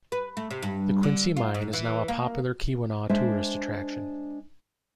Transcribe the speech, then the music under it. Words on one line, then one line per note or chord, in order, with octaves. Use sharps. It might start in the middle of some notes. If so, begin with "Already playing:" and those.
The Quincy Mine is now a popular Keweenaw tourist attraction.
B4
A3
C3
G2
D3
F4
G#2
E3
A#3
G#3 D4 C5 E5